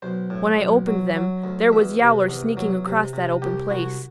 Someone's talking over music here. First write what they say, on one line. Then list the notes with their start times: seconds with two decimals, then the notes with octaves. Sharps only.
When I opened them, there was Yowler sneaking across that open place.
0.02 B1 C5
0.30 A2
0.59 B1
0.87 F#3
1.15 F#3
1.44 D2
1.72 E2 E5
2.01 C3
2.28 E2
2.57 F#3
2.86 C3
3.13 C3
3.42 C2 G4
3.70 C2 F#4